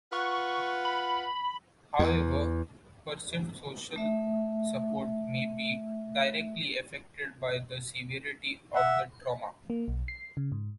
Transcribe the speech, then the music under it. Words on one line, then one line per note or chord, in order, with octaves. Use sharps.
However, perceived social support may be directly affected by the severity of the trauma.
F4 B4 F#5 C#6
B5
E2
A3 E5
E5 F#5
A#3
B1
C7
C#3
G#2